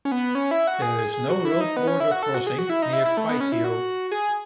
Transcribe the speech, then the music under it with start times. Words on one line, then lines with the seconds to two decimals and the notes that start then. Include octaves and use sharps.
There is no road border crossing near Pythio.
0.05 C#4
0.12 B3
0.35 C#4
0.51 E4
0.67 F#4
0.82 G#4
0.98 G#4
1.14 G#4
1.30 F#4
1.40 F#4
1.45 E4
1.61 D#4
1.77 B3
1.87 C#4
2.00 E4
2.12 F#4
2.23 A4
2.34 F#4
2.47 G#4
2.58 F#4
2.70 E4
2.82 D#4
2.93 E4
3.06 E4
3.17 A3
3.29 B3
3.41 C#4
3.52 E4
3.64 F#4
4.12 G#4